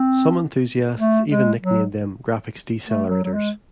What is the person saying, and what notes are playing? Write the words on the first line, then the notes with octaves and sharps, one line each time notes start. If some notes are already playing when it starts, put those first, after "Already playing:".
Some enthusiasts even nicknamed them graphics decelerators.
Already playing: C4
A3
G#3
F#3
A3
F#3
F#3
G#3